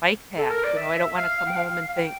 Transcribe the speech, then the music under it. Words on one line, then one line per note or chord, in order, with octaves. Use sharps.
bike path. You know, I don't wanna come home and think,
A4
A#4
D5
E5
F5
G5
F5
G5